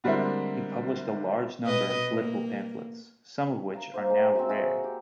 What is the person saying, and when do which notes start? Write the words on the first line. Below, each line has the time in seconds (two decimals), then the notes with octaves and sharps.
He published a large number of political pamphlets, some of which are now rare.
0.04 D3 G3 G#3 A#3 C4 E4
1.66 B2 B4 D#5
2.11 A#3
3.74 F5 A#5
3.94 A#3 C5
4.10 G#3
4.35 C4 F#4 E5
4.49 G#3 F#4 C#6 E6
4.84 G4